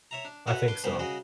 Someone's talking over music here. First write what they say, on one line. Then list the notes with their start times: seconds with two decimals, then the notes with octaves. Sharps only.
I think so.
0.11 C#5 E5 A#5
0.25 D4
0.47 F#4 A4 B4 C#5 E5 F#5
0.68 D4 B4 C6 D6
0.84 C2 G2 C#3 B3 C5 B5
0.99 C#3 F#4 G#4 D#5